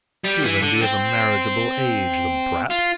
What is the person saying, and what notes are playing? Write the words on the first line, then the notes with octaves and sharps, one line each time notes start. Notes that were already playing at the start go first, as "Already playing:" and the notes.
He will then be of a marriageable age, the brat!
G3
E3
D3
C4
F4